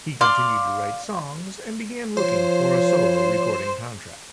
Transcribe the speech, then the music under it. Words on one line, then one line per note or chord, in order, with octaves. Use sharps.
He continued to write songs and began looking for a solo recording contract.
D5 F5 C6
F3 C5 C#5